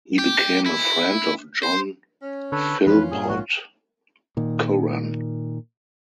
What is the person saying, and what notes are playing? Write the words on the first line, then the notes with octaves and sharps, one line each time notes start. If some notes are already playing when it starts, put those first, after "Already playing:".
He became a friend of John Philpot Curran.
G4
E4
C5
C#4
D3 A4 B4 C#5
F2 E3 A#3 C#4 F4 B4
G2 A#2 G3 G#4
A#1 G#2 A#3 F#4
A#2 D#3